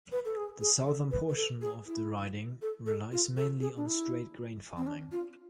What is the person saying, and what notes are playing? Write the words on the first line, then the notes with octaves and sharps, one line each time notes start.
The southern portion of the riding relies mainly on straight grain farming.
B4
A4
G#4
G#4
A4
B4
B4
A4
G#4
E4
A4
A4
F4
A4
G#4
D4
E4
C4
D4
F4